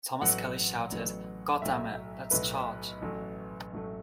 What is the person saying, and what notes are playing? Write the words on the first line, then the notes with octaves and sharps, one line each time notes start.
Thomas Kelley shouted "God damn it, lets charge".
A1 A2 F#3 B3 F#5
A1 A2 F#3 B3
B1 A2 F#3 E5
B1 A2 F#3 B4
A1 A2 F#3 A3
A1 A2 F#3 A3